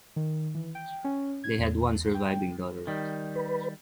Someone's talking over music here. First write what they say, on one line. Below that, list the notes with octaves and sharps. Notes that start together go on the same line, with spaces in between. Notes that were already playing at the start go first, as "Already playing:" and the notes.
They had one surviving daughter.
D#3
E3
G5
C#4
G#6
E2
G5
D#3 G3
B4